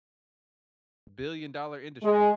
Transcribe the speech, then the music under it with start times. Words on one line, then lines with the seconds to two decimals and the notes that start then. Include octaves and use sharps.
Billion dollar industry.
2.04 G#3